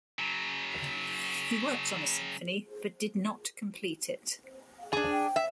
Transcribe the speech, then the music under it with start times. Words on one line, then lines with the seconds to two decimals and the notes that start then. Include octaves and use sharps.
He worked on a symphony but did not complete it.
0.19 C#3 F#3
4.93 D4 G#4
5.12 G5
5.36 E5